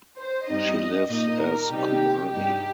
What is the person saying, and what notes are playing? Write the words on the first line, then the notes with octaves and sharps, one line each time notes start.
She lives as kumari.
C5
G2 G3 C4 D#4 D#5
A#2 A#3 D#4 D#5
A#4
C3 G3 D#4 G4
G2 G3 D#4 G4